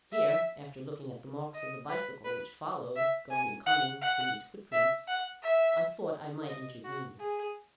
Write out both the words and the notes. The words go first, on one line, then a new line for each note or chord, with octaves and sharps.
Here, after looking at the marks of the bicycle, which followed, going and coming, the neat footprints, I thought I might intervene.
E5
D#5
B4
B4
E5
G#5
F#5
F#5
E5
F#5
E5
D#5
F#4
G#4